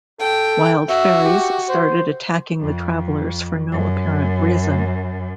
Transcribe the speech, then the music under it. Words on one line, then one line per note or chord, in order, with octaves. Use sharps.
Wild fairies started attacking the travelers for no apparent reason.
A4 G5
F#4 E5
G4
C5
F2
F#2